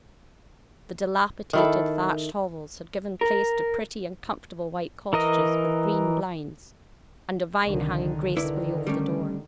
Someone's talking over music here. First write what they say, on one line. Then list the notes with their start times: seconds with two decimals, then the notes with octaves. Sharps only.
The dilapidated, thatched hovels had given place to pretty and comfortable white cottages with green blinds, and a vine hanging gracefully over the door.
1.53 D#3 E4 A4
3.21 A#4
5.13 E3 A#4 D#5
7.66 C2 D3 D#3
8.37 D3 D#3 E4 B4 D5
8.87 G3 A3 C#4